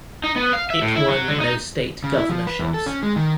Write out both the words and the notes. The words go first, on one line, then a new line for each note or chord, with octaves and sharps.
It won no state governorships.
D#4
B3
F5
E5
A2
E4
F#3
D3
D#4
C#3
E4
F3
B4
E2
A4
C#4
G#3
D#3